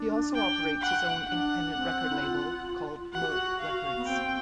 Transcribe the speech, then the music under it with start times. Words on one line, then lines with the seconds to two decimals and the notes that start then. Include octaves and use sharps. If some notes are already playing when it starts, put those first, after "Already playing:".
He also operates his own independent record label called Molk Records.
Already playing: D4
0.34 G5
0.81 F#5
1.22 D#4
1.27 D4 F#5
1.74 C4
2.10 E4
2.20 F4
3.13 F#4 F#5
3.21 G4
3.29 F#4
3.60 F5
3.97 B3
4.06 C4 G5